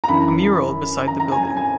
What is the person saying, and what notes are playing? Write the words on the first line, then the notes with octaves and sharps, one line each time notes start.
A mural beside the building.
A#5
F#2 E3 B5
A#5
A#5
G#5
G#5
G#5